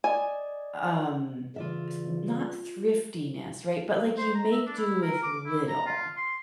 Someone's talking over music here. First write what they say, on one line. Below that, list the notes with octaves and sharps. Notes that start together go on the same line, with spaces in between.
Um, th not thriftiness, right? But, like, you make do with little.
D5 D#5 G#5
C#3 E3 G3 F4 D5 E5
C5
A#5
E5
D4
E4
A#4
D6
E4
A#5
F4
C6